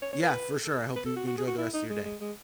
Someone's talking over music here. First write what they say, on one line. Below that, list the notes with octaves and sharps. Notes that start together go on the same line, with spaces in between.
Yeah, for sure. I hope you enjoy the rest of your day.
C#5
C#5
B4
A4
B4
A4
F#4
F#4
G#4
F#4
E4
D#4
G#3
G#3
G#3